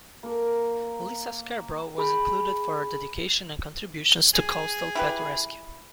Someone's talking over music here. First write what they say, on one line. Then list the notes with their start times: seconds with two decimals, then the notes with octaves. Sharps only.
Lisa Scarbrough was included for her dedication and contributions to Coastal Pet Rescue.
0.23 A#3 A#4
1.98 G#4 B5
4.34 G#4
4.95 E4 G4 B4